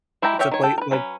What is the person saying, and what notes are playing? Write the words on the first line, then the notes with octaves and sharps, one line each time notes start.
to play, like,
G#3 E4 G4 G5 A#5
G4 C#5 E5 G5
D#3 C#5
A4 G5
A#4 B4
F#3 C#4 B4 B5